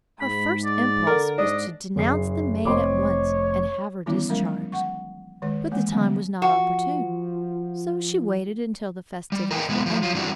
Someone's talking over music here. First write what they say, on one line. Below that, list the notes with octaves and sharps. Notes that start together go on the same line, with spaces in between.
Her first impulse was to denounce the maid at once, and have her discharged; but the time was not opportune, so she waited until the festivities were ended.
G#2 B5
D5
D3 A#4
G#2 D4 D#5
F#1 G#4 C7
F1 A#2 C4 C#5 D#5 C6 D6
D#3 E3 G3 B3 C#4 E4
F#3 G#3 C#4 A#4 F5
F#5 C#6
D#3 G#3 B4
E3 G#3 A#3
D3 F#3 G#3 B3 C#4
F3 F#4
G3
A#4 B4 D#5 G5 G#5
C3 G#3 B3
F3 F#3 E4
F#3 F4
E3 G3 C4 D4 E4 F#4